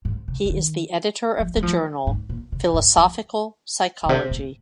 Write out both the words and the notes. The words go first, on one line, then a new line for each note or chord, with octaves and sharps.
He is the editor of the journal "Philosophical Psychology".
G#2
C3
F3
D#3
F3
G#3
F3
G#2
A#2
C3
G#2
F3
A#2
C3
A#2